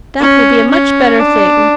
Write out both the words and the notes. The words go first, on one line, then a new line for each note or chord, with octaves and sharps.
That will be a much better thing.
C#4
C#4
D4